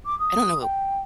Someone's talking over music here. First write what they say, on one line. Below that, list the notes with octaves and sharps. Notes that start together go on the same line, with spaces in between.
I don't know,
D6
D#6
G5